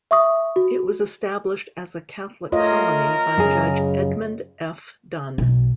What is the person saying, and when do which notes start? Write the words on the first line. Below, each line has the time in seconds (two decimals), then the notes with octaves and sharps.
It was established as a Catholic colony by Judge Edmund F. Dunne.
0.11 E5 C#6 D#6
0.56 F#4
2.52 A3 F4 A#4 C#5 D#5
3.38 F#2 C#3 G#4
5.38 B1